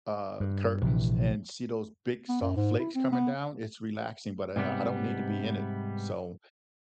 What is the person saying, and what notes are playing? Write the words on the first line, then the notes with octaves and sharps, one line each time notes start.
uh, curtains and see those big, soft flakes coming down, it's relaxing, but, uh, I don't need to be in it. So
G2
A#1 C3 E3
B3
F#2
G#2
E4
C4
B3
G#2 C3 G3 B3